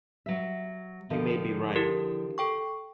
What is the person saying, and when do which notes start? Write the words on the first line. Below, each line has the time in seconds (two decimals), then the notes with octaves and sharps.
You may be right.
0.26 F#3 E5
1.10 D3 D#3 F3
1.76 E4 G4 A#4
2.38 A4 G5 C#6